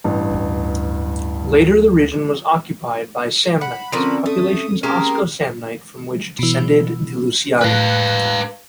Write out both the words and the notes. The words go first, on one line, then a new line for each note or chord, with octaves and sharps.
Later the region was occupied by Samnites, populations Osco-Samnite from which descend the Luciani.
A1 G2
D2 E4
F#5 B5
D3 F3 C4 C#4 A#4
A3 D#6
G#3 A#3 C#4 G4 A#4
B2 E3
A2 B4 F5 F#6